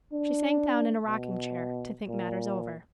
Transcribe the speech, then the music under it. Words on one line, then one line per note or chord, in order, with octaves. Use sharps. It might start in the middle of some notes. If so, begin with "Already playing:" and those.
She sank down in a rocking chair, to think matters over.
D4
B2
A#2